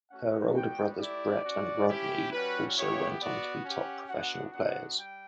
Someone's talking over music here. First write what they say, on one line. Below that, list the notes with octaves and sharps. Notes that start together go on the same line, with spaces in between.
Her older brothers Brett and Rodney also went on to be top professional players.
A3 C#4 F#4 F#5
G3 B3 F#4 G5
A3 E4 G4 D5
C#4 F#4
C#4 E4 G4
G3 C#4 F#4 B4
B3 E4 G4 C#5
B3 F#4 D5
C#4 G4 F#5
B3 D4 F#4 F#5
B3 D4 F#4 F#5
G3 G5